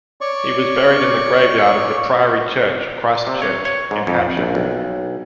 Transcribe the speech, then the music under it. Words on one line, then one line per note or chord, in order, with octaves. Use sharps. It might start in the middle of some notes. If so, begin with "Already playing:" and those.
He was buried in the graveyard of the Priory Church, Christchurch in Hampshire.
C#5 D5 C#6
C3
C#5
C#5
G#2
F2
A#1
B1